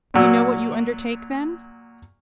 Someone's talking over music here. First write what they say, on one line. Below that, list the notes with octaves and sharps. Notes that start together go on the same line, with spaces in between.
"You know what you undertake, then?"
A#2 F#3 E6